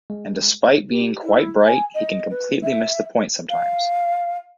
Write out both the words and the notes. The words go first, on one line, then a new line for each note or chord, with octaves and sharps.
And despite being quite bright he can completely miss the point sometimes.
G#3
G4
E4
G#5
D#5
B4
E5
F5